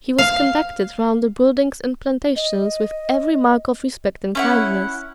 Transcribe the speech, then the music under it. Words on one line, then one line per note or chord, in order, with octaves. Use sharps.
He was conducted round the buildings and plantations with every mark of respect and kindness.
F5
D#5
C#4 E4 F#5